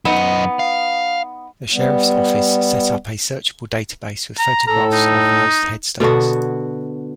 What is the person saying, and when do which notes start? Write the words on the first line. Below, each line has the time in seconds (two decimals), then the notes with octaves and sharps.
The sheriff's office set up a searchable database with photographs of most headstones.
0.05 F#2 B3 D#4 D#5
0.59 F5
1.73 G3 B3
4.39 A#5
4.67 A2 A4 A#5
4.93 D#4
6.00 B2 D3 B3 F#4